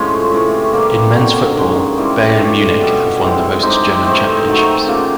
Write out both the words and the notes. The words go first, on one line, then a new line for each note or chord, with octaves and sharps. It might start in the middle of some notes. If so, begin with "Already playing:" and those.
In men's football, Bayern Munich have won the most German championships.
Already playing: A2 F3 G#3 C#4 F4
C3 E3 A3 C#4
C3 E3 G3 A#3
D3 F#3 A#3 C#4
D#3 G#3 C#4
A2 E3 G3 C4
F3 A3 D4 G4
B2 G3 B3
E3 G#3 C4
G#3 C4 D#4 G4
E3 A3 C4 D#4
D#3 F#3 A3
C#3 F3 A#3